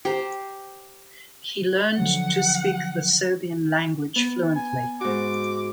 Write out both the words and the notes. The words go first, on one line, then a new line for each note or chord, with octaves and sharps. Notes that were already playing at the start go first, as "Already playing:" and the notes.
He learned to speak the Serbian language fluently.
G4 C5 A#5
D3 F3 F#3 F#5
B3
G#5
G#2 F#4 D6